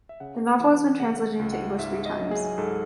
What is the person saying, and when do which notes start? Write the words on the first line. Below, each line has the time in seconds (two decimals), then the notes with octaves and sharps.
The novel has been translated into English three times.
0.09 E5
0.20 C#3 F#5
0.60 E3
1.00 C#3 F#5
1.39 C#2
1.52 F#5
1.79 G#2 E5
2.06 D#5
2.19 F#3
2.31 G#4
2.58 G#2 A4